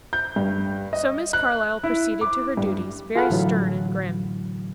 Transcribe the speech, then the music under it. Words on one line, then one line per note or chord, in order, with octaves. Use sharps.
So Miss Carlyle proceeded to her duties, very stern and grim.
G6
G2
D#5
F#6
E4
D6
G2
F4 G#4 A4 F5 F#5 B5
A2 D3 E3 F#3